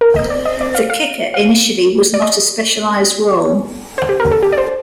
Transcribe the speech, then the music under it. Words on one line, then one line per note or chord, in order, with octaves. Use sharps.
The kicker initially was not a specialized role.
A#4
D#5
D5
D#5
D5
F5
F5
F5
D5
D#5
C5
G4
A#4
A4
G4
D5
C5